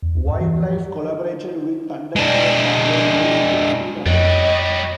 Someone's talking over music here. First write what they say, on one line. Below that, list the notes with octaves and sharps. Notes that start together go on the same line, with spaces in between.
Widelife collaborated with Thunderpuss on their release "Six Feet Under".
E2
D2
G2
E3
F3
G#3 D4
F2 G3 F#4 C#5 D#5